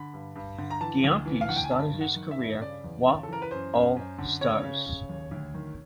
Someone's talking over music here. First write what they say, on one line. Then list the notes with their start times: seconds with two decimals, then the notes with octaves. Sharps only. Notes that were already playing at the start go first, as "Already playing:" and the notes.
Gyamfi started his career Wa All Stars.
Already playing: D3 B5
0.13 G2
0.36 G2
0.58 D3
0.70 A#5
0.81 E3 A5
1.04 D2
1.26 E3
1.41 F5
1.48 D2 F#5
1.56 G5
1.64 G#5
1.71 G2 A5
1.94 D#3
2.01 F#5
2.16 D#3
2.31 E5
2.39 G2
2.61 C#3 D5
2.84 E2
3.06 C#3
3.23 A4
3.29 E3 A#4
3.42 B4
3.51 F#2 C5
3.74 F#2
3.96 F#2
4.18 D3
4.41 C#3 C#5
4.64 C#3
4.86 C#3
5.09 D#2
5.31 D2
5.54 D#3